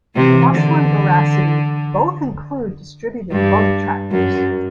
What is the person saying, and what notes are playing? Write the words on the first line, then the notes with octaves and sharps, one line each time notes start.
Fossil and Veracity both include distributed bug trackers.
C3 E3
D3
G2
F#2